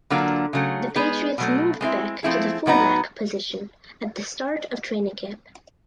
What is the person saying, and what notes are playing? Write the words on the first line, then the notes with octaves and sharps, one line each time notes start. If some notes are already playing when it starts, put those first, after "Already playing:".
The Patriots moved Beck to the fullback position at the start of training camp.
D3 F#3 A#3 D4 F4
C#3 F#3 A3
G#3 B3 D#4 G#4
B2 F#3 A3
G#3 C4 E4
F3 A3 C4 E4 G#4
A2 F#3 B3 D#4